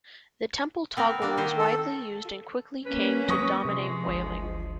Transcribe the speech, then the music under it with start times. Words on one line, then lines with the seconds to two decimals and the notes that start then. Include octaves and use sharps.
The Temple toggle was widely used, and quickly came to dominate whaling.
0.97 B3 C4 A#4
1.22 A#3 D4
1.37 D#3 C5
1.57 A4
2.86 A#3 C#4 B4
3.29 F#3 G#3 C#6 D#6 A#6
3.65 C3 F3 G#3
4.08 G1 D2